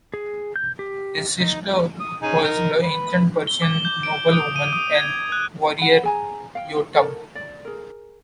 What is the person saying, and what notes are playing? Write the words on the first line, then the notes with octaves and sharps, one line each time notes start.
His sister was the ancient Persian noblewoman and warrior Youtab.
G#4
G6
G4
D#4
D#6
C#4 D#4 G#4
D#4 A#4
B4
G7
D6
G6
D7
D#6
D#7
D#6
G#6
F#6
F#5 B5
G#4 G#5 A#5
F5 G5
A4 A#4
D5
G#4 A#4